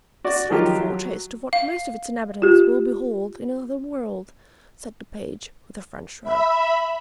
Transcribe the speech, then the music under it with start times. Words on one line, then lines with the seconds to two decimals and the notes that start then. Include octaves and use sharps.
"A slight foretaste of what most of its inhabitants will behold in another world," said the page, with a French shrug.
0.24 F#4 D5
0.50 D#3 F3 F#3 D#4 F4 G4
0.77 F#3
1.53 F5
2.42 F4 G4
6.23 E5 B5